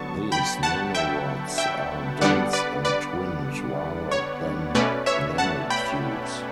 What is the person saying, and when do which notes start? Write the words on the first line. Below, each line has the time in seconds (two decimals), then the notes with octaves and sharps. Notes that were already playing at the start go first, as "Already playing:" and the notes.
These nanorods are dense and twinned rather than nanotubes.
Already playing: D3 F#3 B3 A5 C#6
0.32 G5 B5
0.63 F#5 A5
0.94 E5 G5
1.58 E5 G5
2.21 D3 G3 B3 D4 D5 F#5
2.53 B4 D5
2.85 B4 D5
4.11 C#5
4.75 B2 A3 C#4 B4 D5
5.06 C#5 E5
5.38 F#5 A5
5.70 G5 B5